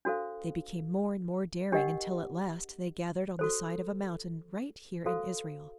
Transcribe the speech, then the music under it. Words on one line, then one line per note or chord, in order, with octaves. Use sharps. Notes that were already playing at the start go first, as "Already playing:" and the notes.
They became more and more daring, until at last they gathered on the side of a mountain right here in Israel.
D4 F#4 A4 C5 F5
D4 G4 A#4 D#5 F#5
F#4 A4 C5
F#4 A4 C5 F5